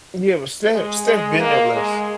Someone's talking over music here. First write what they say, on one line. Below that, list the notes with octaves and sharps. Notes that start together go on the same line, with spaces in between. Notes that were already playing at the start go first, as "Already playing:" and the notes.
Yeah, but Steph Steph been there less.
G#3
G#3
A#3
G#3